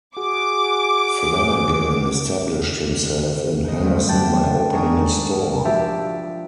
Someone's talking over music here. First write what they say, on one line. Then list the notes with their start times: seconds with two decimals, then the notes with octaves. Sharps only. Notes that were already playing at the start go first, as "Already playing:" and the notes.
Flanagan established himself in Henderson by opening a store.
0.17 F#4 G#4 D6
3.68 D#5
3.83 D2 G2 G4
4.08 F#5 G5 A5 D6
4.72 G#2 D4 A#4 G#5 C#6 D#6
5.64 F3 F#4 G4 E5 A5 D6